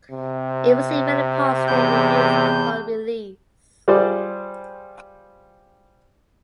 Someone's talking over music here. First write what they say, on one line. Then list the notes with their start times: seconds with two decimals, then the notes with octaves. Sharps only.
It received many positive reviews upon release.
0.10 C3
1.68 E2 G6
3.88 G3 F4 G#4 C5 D5